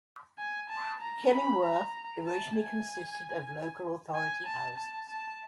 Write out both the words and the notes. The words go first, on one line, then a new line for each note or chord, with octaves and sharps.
Killingworth originally consisted of local authority houses.
G#5
A5
A#5
B5
A#5
A5
G#5
G#5
A5
A5
A5